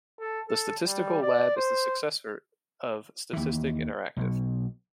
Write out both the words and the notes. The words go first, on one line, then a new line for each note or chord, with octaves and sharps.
The Statistical Lab is the successor of Statistik interaktiv!
A4
A4
G3
D5
C5
D#2 E3
B1 B2